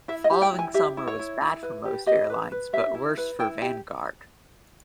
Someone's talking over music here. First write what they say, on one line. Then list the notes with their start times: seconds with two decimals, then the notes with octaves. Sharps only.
The following summer was bad for most airlines, but worse for Vanguard.
0.08 E4 E5
0.24 D#5
0.31 G4
0.42 G5
0.53 E4
0.59 G#5
0.74 G4 E5
0.97 E4
1.07 C#5
1.19 E4
1.41 E4
1.63 B4
1.85 G4
2.06 G4 D#5
2.30 B4
2.52 B4
2.73 G4 E5
2.95 E4
3.17 B4
3.39 E4 G5
3.61 G4 G5